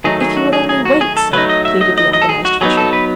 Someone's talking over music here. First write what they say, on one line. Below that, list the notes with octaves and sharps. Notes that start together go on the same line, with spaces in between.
"If you would only wait, sir," pleaded the agonized Fisher.
D#3 F#3 A3 D#4 G#4
G#4
F#4
G#4
G#4
F#4
G#4
A4
F#3 A3 D#4 B4
D#5
E5
D#5
D#5
D#5
A4
G#4
F#4
F#3 B3 D#4 G#4
A4
B4